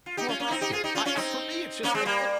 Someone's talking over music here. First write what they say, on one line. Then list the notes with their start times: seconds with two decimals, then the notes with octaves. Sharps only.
Well, thank you. I, uh, for me, it's just like, look
0.06 F4
0.17 D#4 G4
0.29 C#4 F4
0.40 A#3 C#4
0.51 C4 D#4
0.61 D#4 G4
0.72 F4 G#4
0.84 D#4 G4
0.95 C#4 F4
1.06 C#4 F4
1.17 C4 D#4
1.83 A#3 C#4
1.94 G#3 C4
2.05 G3 A#3